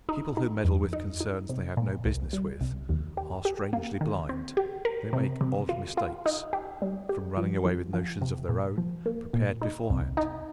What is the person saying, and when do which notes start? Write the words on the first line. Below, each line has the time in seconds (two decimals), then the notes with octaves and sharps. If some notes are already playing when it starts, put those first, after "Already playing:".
People who meddle with concerns they have no business with, are strangely blind,--they make odd mistakes, from running away with notions of their own, prepared beforehand.
0.09 D#4
0.37 D#4
0.65 F2
0.93 D#4
1.21 D#4
1.49 C3
1.77 A#2
2.05 C2
2.33 G3
2.61 C2
2.89 D#2
3.17 G4
3.45 G4
3.73 A#3
4.01 D#3
4.29 C4
4.57 G4
4.85 A#4
5.13 C3
5.41 C3
5.69 F4
5.97 F4
6.26 D#4
6.53 G4
6.82 G3
7.09 G4
7.37 F3
7.65 F3
7.93 F3
8.21 C3
8.49 A#2
8.78 F3
9.06 A#3
9.33 A#2
9.62 D#4
9.90 C2
10.17 D#4